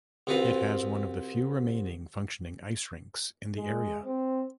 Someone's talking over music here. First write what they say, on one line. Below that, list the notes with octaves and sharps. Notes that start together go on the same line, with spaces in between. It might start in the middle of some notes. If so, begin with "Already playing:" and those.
It has one of the few remaining functioning ice-rinks in the area.
C2 C4 F4 F#4 B4 F5
G#3
C4